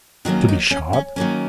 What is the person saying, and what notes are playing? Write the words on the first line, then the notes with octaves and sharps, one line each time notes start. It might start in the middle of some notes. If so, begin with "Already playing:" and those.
To be shot?
D#3 F#3 A#3 C#4 D4
D#4
C#4
C#4
D#3 F#3 A#3 C#4